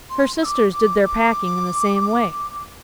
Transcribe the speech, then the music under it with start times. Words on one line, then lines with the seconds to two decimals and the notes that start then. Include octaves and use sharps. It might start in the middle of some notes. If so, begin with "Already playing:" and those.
Her sisters did their packing in the same way.
0.10 C6
0.42 E6
0.45 D6
0.73 D6
1.05 D6